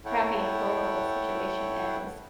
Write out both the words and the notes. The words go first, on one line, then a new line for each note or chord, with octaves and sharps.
crappy and horrible this situation is,
E4 A4 C#5 F#5 G5